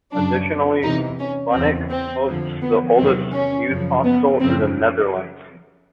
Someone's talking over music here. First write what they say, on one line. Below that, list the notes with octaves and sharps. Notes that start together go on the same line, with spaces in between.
Additionally, Bunnik, hosts the oldest Youth Hostel in the Netherlands.
F#2 C#3 F#3 D4
E2 C3 E3 D#4
C#4
E2 C#3 E3 C4
C4
F2 D3 F3
B3
E2 C3 D#3 F#3 C4
C#4
F#2 C#3 F3
B3
F#2 C#3 F3 C4